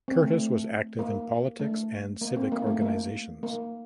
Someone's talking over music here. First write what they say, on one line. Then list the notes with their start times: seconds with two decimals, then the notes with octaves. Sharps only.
Curtis was active in politics and civic organizations.
0.08 C4
0.23 A3
0.38 A3
0.99 A#3
1.60 A3
2.21 A#3
2.37 C4
2.52 A#3
2.67 A3
2.82 A#3
3.43 A#3